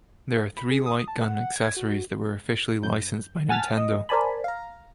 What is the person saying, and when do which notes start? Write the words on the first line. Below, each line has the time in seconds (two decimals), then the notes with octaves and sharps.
There are three light gun accessories that were officially licensed by Nintendo.
0.57 B5
0.71 G#4
0.86 D#6
1.08 A5
1.23 F#5
1.35 F#5
1.56 G#6
1.77 F#4
2.83 F#2 G6
3.49 F#5 G#5 A5 F6 A6 B6
3.77 D#5
4.09 A#4 C5 D5 G#5 A5 B5
4.44 F5 A#5